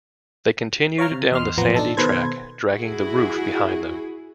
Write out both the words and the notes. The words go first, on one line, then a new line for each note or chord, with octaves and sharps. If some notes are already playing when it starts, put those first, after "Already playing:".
They continued down the sandy track dragging the roof behind them.
C#5 F5 A#5 F6
C3
E2 D#5 C6 F6
A1 F2 F3 B3 C5 A#5
D4 D#4 A4 A5
B2 D#3 A4 B4 C5 G#6
E4 F#4 G#4